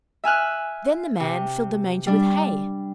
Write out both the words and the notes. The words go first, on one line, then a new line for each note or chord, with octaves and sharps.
Then the man filled the manger with hay.
E5 G#5 F6 F#6
C3
G3 D4